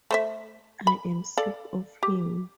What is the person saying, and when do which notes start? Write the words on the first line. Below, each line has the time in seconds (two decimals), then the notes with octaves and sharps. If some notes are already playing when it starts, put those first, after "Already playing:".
I am sick of him.
0.11 A3 C5 E5
0.87 B5
1.37 A4 D5 F5
2.03 G4